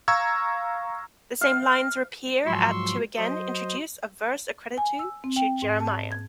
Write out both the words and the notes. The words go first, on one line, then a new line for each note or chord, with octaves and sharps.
These same lines reappear at to again introduce a verse accredited to Jeremiah.
F5 A#5 C#6 E6 G#6
F5
G#2 F3 F#3 C6 C#6 E6
F#3 C5 D#5
G#5
E6
C4
G5
G#2
A5
G#6